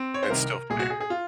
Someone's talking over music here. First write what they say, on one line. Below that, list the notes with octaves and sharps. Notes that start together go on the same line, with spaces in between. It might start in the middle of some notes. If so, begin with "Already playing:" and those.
It's still there.
Already playing: C4
C#5
C5
C2 C3 D#3 A#4
C2 A#2 G#4
F#4
G#4
G#4
F4